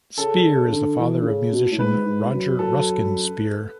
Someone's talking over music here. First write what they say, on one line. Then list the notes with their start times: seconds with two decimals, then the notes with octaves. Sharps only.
Spear is the father of musician Roger Ruskin Spear.
0.18 C#3 A4
0.45 C#3
0.68 C#3
0.72 D3
0.98 E3
1.21 D3
1.25 C#3
1.53 B2
1.71 A2
1.79 G#2 B4
2.06 G#2
2.32 F#2
2.59 A4